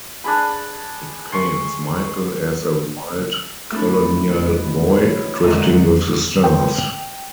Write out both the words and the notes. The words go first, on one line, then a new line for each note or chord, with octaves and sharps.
It paints Michael as a wild colonial boy, drifting with the stars.
D4 G#4 B5
C6 C#6
A3 C4 D4 E4
B2 B3 C4
E3 C#5
F#2 A#2 D3 D#3 F#3 G#3
G5